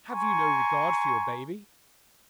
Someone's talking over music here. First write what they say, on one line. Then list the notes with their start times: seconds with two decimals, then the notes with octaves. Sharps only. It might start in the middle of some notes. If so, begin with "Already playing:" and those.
Have you no regard for your baby?'
0.11 G#5 A#5 C6 C#6